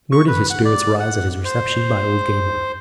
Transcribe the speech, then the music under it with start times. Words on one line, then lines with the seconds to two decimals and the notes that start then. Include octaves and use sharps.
Nor did his spirits rise at his reception by old Gamewell.
0.12 C#6
0.27 B4
0.50 F#5
0.65 D5
1.00 F#5
1.44 C5